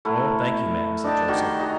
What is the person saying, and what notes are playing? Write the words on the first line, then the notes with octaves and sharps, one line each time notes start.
"No, thank you, ma'am," said Joseph.
A3 E4 A#4 F#5
D4 D#5 G5 A5
D#3 F#4 G4
F#4 G#4 D#5 A#5